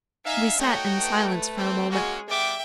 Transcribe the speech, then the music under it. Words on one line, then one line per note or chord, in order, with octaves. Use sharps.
We sat in silence for a moment.
D#4 E5 F5 G#5
A3 D#4 F#4 C#5 G5
A3 B4
C4
G#3 A#3 C#4 F#4 G#4
G3 B3 E5 G5 D6